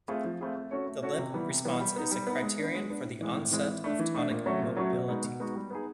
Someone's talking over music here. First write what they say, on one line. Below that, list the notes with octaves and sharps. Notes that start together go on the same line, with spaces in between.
The "limp" response is a criterion for the onset of tonic immobility.
A3 C4 F4 G#4
F3
A3 C4 F4 G#4
A3
C#4 F#4 A4 C#5
A3
C#4 F#4 A4 C#5
C3
E3 G3 B3
C3
E3 G3 B3
G3
B3 D#4
G3
B3 D#4
G#3
B3 D4
G#3
B3 D4
A2
E3 G#3 C4
A2
E3 G#3 C4
E3
A3 D4
E3
A3 D4
A#2
F#3 A3 C#4 F#4
A#2
F#3 A3 C#4 F#4
B2
G#3 B3 D#4 F#4
B2
G#3 B3 D#4 F#4
G3
B3 D#4 G#4